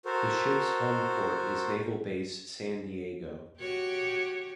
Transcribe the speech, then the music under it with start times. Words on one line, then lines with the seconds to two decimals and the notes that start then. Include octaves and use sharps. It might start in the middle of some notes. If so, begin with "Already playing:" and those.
The ship's home port is Naval Base San Diego.
0.05 F#4 A4 A#4 C5
3.60 F#4 G4 C#5